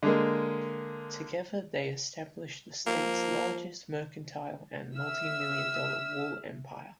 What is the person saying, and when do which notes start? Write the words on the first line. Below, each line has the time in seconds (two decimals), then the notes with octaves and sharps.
Together they established the state's largest mercantile and a multi-million dollar wool empire.
0.03 D3 G#3 A#3
2.87 F3 A#3
4.97 E5 E6 F6